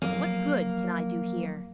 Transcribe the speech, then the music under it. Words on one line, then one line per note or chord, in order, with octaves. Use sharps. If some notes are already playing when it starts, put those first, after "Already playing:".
What good can I do here?
F3 F#3 A#3